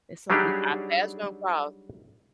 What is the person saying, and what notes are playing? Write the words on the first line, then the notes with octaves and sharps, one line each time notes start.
it's what we our paths are gonna cross.
F#3 G3 D4 D#4 G4 G#4